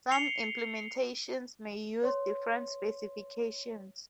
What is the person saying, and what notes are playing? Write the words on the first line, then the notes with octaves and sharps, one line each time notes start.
Some implementations may use different specifications.
C7 C#7 F7 G7
B4 C#5 C6